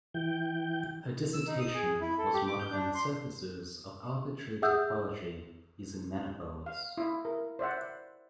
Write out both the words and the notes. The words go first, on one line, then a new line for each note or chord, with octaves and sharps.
Her dissertation was "Modeling Surfaces of Arbitrary Topology using Manifolds".
E3 G5
E6
D#4
D#6
G#4
E4
A4
G4
D6
G6
D4
C6
G#4 E5 F#5 D#6 E6 G6
F5
E4 E5
A#4
C5 D5 E5 F#5